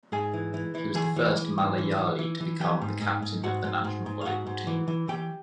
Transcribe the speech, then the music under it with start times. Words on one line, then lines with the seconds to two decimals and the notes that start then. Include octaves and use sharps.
He was the first Malayali to become the captain of the national volleyball team.
0.12 G#2 G#4 G#5
0.34 E3
0.54 E3
0.75 E3
0.95 E3 G#4 G#5
1.16 E3
1.36 E3
1.58 G#2
1.78 E3
1.98 E3
2.19 E3
2.40 E3
2.60 E3 G4 G5
2.82 G#2
3.01 G#2
3.22 G#2
3.44 G#2 F#4 F#5
3.64 G#2
3.84 G#2
4.06 G#2
4.21 F5
4.26 G#2 F#4 F#5
4.47 G#2
4.67 E3
4.88 E3
5.08 E3 G4 G5